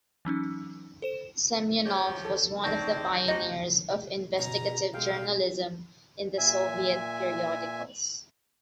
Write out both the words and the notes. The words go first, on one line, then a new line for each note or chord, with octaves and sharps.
Semyonov was one of the pioneers of "Investigative journalism" in the Soviet periodicals.
E3 F#3 C#4 D#4
A4 C5 E7
F3 G4 C#5
A4
A1 D#3 C4 D5 A5 C#6 G6 A#6
D#4 F#4 G4 D#5
B2 C#4 A#5
B1 G#3 F5 G5
A#2 E5 G#5